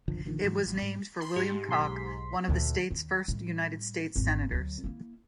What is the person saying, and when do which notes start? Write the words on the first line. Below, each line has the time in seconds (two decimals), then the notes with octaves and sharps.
It was named for William Cocke, one of the state's first United States Senators.
0.08 F#1 B1 D3 F3
0.25 A1 D3 D#3 F3
0.44 G#2 E3 F#3
0.66 A1
0.82 G#2 G3
1.20 B5 C6
1.36 G#2 G4
1.68 B1 C6 B6
2.48 D2 A#2
2.91 D#2
3.28 A2 G3
4.16 G#1 E2
4.51 D2 F#3
4.84 A#3 E4